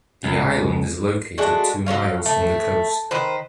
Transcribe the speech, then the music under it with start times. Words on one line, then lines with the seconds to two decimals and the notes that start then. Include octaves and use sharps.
The island is located two miles from the coast.
0.24 C#2
1.38 G#3 A3 D4 F#4
1.86 F#3 A#3 C#4 F5
2.26 A3
3.11 D#3 B4 C5